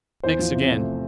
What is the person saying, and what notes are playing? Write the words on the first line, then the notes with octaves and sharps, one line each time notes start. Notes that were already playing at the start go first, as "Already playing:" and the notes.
Mix again.'
E2 C5
F3
C3
A3